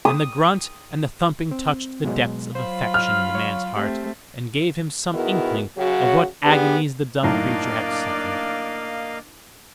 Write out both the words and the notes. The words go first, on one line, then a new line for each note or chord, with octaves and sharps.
And the grunt and the thumping touched the depth of affection in the man's heart, and gave him some inkling of what agonies the dumb creature had suffered.
D#6
C4
B2 F#3 G#3
F#3 F4 C5 B5
F6
C#5 F5 C#6
A3 C4 G4
D#3 B3 E4 F#4 G#4 A#4
F#2 C#3 F#3 F#4
D3 B3 D4 G4 G#4 B4
F#2 A2 D#3 A#3 D4 D5 D#5 F5